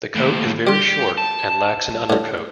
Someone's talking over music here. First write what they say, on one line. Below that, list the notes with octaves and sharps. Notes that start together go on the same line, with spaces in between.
The coat is very short and lacks an undercoat.
D#2 A2
G3 G4 C6
A5
A2 D3